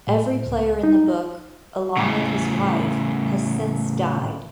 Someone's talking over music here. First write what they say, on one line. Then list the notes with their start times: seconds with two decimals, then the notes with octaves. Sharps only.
Every player in the book, along with his wife, has since died.
0.07 A2
0.46 C#2
0.83 D#4
1.97 A2 C#3